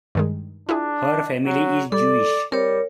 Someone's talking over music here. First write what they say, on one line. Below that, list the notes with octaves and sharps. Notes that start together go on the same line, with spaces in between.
Her family is Jewish.
G2 D#3 G#3
D4 E4 F4 G#4
F#3
G3 A4 D5
G3 C4 A#4 C#5